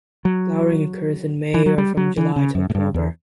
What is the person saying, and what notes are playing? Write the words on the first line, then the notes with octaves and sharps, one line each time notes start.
Flowering occurs in May or from July to October.
F#3
E3
F#3
G3
F#3
E3
C#3
F#2
A2
G2
E2